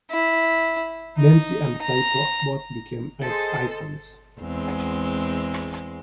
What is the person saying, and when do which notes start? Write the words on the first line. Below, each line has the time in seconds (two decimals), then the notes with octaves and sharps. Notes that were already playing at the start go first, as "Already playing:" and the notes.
Dempsey and Firpo both became icons.
0.11 E4
1.17 D#4
1.82 A#5
3.22 G#4 A4 C5 D#5 A5
4.41 E2 G#3 C4